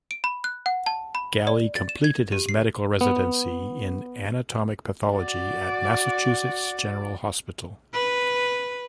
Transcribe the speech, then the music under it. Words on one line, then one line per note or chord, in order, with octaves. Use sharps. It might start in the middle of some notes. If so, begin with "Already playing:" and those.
Galli completed his medical residency in anatomic pathology at Massachusetts General Hospital.
D7
B5
F#6
F#5
A5
B5
D5
A6
E7
G#6
G4
C7
B3
F#4 D5
B4